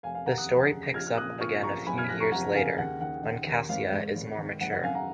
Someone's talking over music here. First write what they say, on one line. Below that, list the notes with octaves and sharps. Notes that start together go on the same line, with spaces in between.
The story picks up again a few years later when Casseia is more mature.
F1 F5 G#5
F5 G#5
D#2 F#5 A#5
D#6 F#6
F1
C#3
A#6
A#1 F6 G#6
F6
A#2 D#6 F#6
A#2 C#6 F6
A#1 A#5 C#6
F#1 G#5 B5
F6 G#6
B6
F2 F#6 A#6
A#5 C#6
F#1 F#5 A#5
C#3 F5 G#5
D#2 F#5
D#3 F#5
D#3
D#2
G#1 F5
G#2
G#1
D#3
F#1 F#5
F#5
F#2 F5 G#5
F#5 A#5